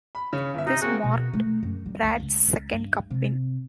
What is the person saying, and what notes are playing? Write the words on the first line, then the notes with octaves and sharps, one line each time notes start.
This marked Pratt's second Cup win.
B5
C#3 C#4
G1 E5
C3 D#4
A#3 C4 F#4 G#4
B2
A3
F#2
G3
D2
C#2
G2
C3